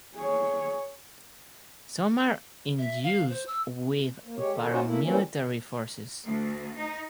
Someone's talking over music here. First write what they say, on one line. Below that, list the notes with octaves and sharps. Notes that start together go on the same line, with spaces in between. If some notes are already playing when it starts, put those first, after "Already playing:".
Some are in use with paramilitary forces.
G#4 C#5
E5
F5
C5
E6
A#3
G#3 G4 C#5
C3 D#3 A4
C#4 D#4 F4 F#4 C5 C#5
A3 A#3 E4
E3 G3 A#3 C4 C#4
D2
D#4